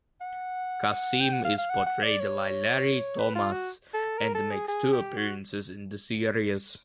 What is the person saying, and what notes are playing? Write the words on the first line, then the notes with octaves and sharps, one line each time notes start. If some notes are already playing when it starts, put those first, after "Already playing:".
Kassem is portrayed by Larry Thomas and makes two appearances in the series.
F#5
G5
F#5
F5
F5
F#5
F#5
D5
C#5
B4
F4
F#4
A4
A#4
A4
G#4
G#4
G4
F#4